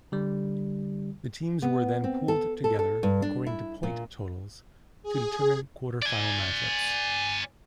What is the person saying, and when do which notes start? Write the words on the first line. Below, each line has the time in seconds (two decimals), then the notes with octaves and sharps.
The teams were then pooled together, according to point totals, to determine quarter-final match-ups.
0.12 D3 G3
1.62 B3
2.04 C4
2.28 A4
2.64 A4
2.79 A4
3.03 G2
3.22 D4
3.46 E4
3.83 A#2
5.03 G#4
6.03 D5 G#5